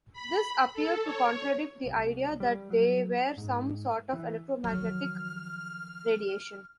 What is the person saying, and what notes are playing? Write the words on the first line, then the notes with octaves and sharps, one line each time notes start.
This appeared to contradict the idea that they were some sort of electromagnetic radiation.
B5
A4
C#5
C2
G3
F#3
G#2
E3
D#3 F3 F#3 F6